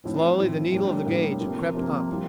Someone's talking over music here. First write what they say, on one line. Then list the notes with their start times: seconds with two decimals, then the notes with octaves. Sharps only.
Slowly the needle of the gauge crept up.
0.04 A2 F3 C4 E4
0.38 A2 F3 C4 E4
0.72 A2 G3 A#3 D4
1.06 A2 G3 A#3 D4
1.40 C3 F3 A#3
1.75 C3 F3 A#3
2.09 G3 C4 F4